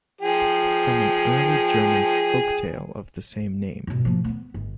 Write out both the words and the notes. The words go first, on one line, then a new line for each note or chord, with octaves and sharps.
From an early German folk tale of the same name.
F3 G#4 G5
G2 B2
F3 A#3
A#3 B3
G1